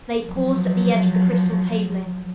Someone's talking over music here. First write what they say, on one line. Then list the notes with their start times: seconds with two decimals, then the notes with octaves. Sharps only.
They paused at the edge of the crystal tabling.
0.23 F3 F#3